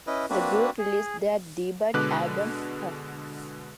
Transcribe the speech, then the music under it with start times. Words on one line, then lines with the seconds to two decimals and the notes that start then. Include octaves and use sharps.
The group released their debut album Huh!?
0.07 C#4 E4 B4 D#5
0.30 A#3 C4 D4 F#4 B4
0.78 G#4
1.94 B2 D3 G#3 B4 D6 F#6